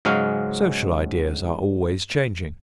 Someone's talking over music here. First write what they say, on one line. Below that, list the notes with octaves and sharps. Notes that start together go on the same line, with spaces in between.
Social ideas are always changing.
G#2 C#3 F#3 G#3 C#4 F5